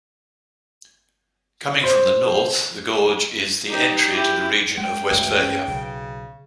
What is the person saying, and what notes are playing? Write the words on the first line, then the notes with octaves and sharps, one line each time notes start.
Coming from the north, the gorge is the entry to the region of Westphalia.
C5
D#4 G4
E4 G4
G#3 G5
A1 D2 G2 G#3
C#4
B1 C#3